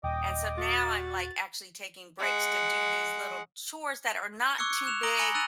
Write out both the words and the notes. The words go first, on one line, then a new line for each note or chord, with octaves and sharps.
And so now I'm, like, actually taking breaks to do these little chores that are not too big
D#1 D#5 G5 D6 D#6
F#4 A6
G#3 F#5
C#6 D6 E6 F#6 G#6 C#7
C#7
F#6 E7 F7
A#5 D#6 A#6 D7 F#7 G7
G#5 B5 A#6 C#7 F#7 G7
E6 F#6 A6 D#7 F7 F#7